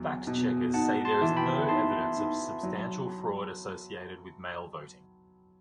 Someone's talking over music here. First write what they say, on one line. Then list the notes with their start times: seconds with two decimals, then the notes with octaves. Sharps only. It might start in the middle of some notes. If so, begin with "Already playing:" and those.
Fact checkers say there is no evidence of substantial fraud associated with mail voting.
Already playing: E2 F#3
0.27 B2
0.74 D#4 F#5 A5
1.05 A5 C6
1.21 E3
1.37 G5 B5
1.68 D#4 A5 C6
2.16 D#4
2.63 F#3